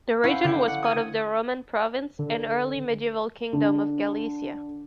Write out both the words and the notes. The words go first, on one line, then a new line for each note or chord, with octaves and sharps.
The region was part of the Roman Province and early medieval Kingdom of Gallaecia.
C#4 E4 C5 F5 F#5
D3 G5
F#5
D#6 G#6 D#7
D3
D3